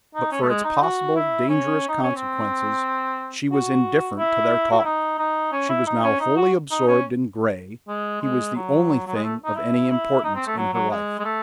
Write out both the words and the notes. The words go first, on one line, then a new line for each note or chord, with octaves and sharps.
But for its possible, dangerous consequences, she was indifferent to their talk. She was now wholly absorbed in Grey; he was the only thing of any importance in her life.
D#4
C#4
A3
G#3
D#4
F#4
E4
C#4
D#4
C#4
C4
F#4
E4
F#4
E4
D#4
D#4
C#4
E4
D#4
C#4
D#4
F#4
D#4
C#4
G#3
G#3
F#3
F#3
G#3
A3
D#4
E4
E4
D#4
C4
A3
F#3
F#3
G#3
G#3
A3